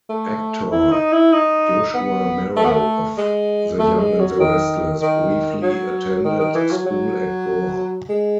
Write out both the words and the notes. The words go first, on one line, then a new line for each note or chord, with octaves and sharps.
Actor Joshua Morrow of "The Young and the Restless" briefly attended school at Gore.
A3
E4
D#4
E4
D#4
B3
A3
B3
A3
G#3
A3
G#3
F#3
D#3
D#3
F#3
D#3
D#3
E3
F#3
F#3
G#3